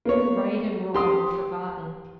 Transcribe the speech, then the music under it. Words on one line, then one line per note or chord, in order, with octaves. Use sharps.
Right and wrong were forgotten.
A#3 B3 C#5
G4 C6 D#6